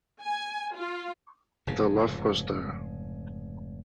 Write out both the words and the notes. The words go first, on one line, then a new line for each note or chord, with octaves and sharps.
The love was there.
G#5
F4
F1 G#2 C#3